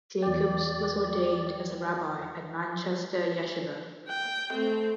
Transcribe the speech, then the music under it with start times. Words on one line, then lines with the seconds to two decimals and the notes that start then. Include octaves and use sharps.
Jacobs was ordained as a rabbi at Manchester Yeshivah.
0.22 E2 D5 G5
4.08 G5
4.52 A3 C4